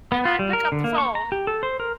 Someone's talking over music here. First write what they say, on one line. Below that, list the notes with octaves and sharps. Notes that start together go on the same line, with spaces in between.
and I pick up the phone.
B3
F4
G3
A#4
D3
A#3
C#6
A#5
G4
A4
C5
A#4